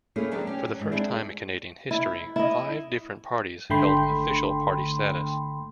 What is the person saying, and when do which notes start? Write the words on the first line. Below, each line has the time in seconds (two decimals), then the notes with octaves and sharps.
For the first time in Canadian history, five different parties held official party status.
0.16 A3 A#3 C#4 E4 G#4
0.31 D2 D3 F#3 B3 G4 A5
0.47 C#4 G4
0.68 F#3
0.79 G#2
0.92 G#3 C4 D4 E4 G#4
1.91 E4
2.36 E4 D#5
3.70 G#1 D3 A3 G5 B5 C6